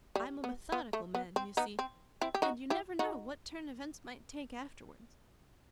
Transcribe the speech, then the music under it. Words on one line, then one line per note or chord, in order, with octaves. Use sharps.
I am a methodical man, you see, and you never know what turn events might take afterwards.
G3
B3
B3
A3
B3
C4
B3 D#4
C4
C4 E4
G4
D#4 F#4
E4 G4
D#4 F#4